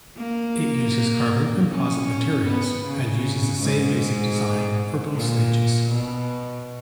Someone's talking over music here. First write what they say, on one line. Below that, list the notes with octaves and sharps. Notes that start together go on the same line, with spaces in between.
It uses carbon composite materials and uses the same basic design for both stages.
A#3
C#4
B3
C#3
G#2
A#2
B2